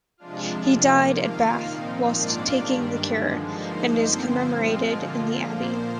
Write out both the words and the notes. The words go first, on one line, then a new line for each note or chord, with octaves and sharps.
He died at Bath, whilst taking the cure, and is commemorated in the Abbey.
C3 F3 G#3 D4 F4
C3 F3 A#3
D#3 A#3 F4 F5
A#2 F3 C4 D#4
G#2 D#3 A#3 D4 F4 D5
G2 D#3 G3 D4
D3 F3 G#3
G2 F3 A#3 D#4 C5
D3 F3 C4
A#2 F3 G#3 C4 F4
D3 F3 A#3 F4
A#2 F3 A#3 C5